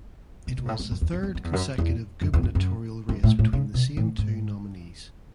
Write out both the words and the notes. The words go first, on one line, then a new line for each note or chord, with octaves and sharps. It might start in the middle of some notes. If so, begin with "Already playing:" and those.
It was the third consecutive gubernatorial race between the same two nominees.
B2
B2
G#2
A2
G#2
F#2
E2
F#2
E2
F#2
E2
F#2
E2
F#2
E2
F#2
F#2
F#2
A2
A2
C#3
B2
A2
G#2